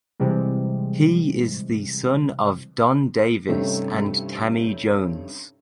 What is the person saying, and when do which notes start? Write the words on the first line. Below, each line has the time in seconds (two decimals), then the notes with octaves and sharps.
He is the son of Don Davis and Tammi Jones.
0.20 C3 E3 G3 G#3
3.49 G2 C3 D#3 A3 C#4 D4